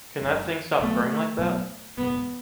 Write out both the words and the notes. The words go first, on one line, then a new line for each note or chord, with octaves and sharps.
Can that thing stop purring like that?
F#1 F#2 C#3 G#3
B1 B2 F#3 A3 B3
B1 B2 F#3 B3
F#1 E2 B2 G#3 B3